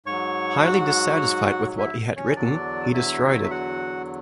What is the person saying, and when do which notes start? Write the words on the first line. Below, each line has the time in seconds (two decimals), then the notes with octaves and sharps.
Highly dissatisfied with what he had written, he destroyed it.
0.06 G#2 F#3 C#5 C#6
0.63 F#4 F#5
1.78 E4 E5
2.16 C#4 C#5
2.36 E2 D3 F#3 D4 D5
2.93 E4 E5
3.44 E5
3.51 F#4 F#5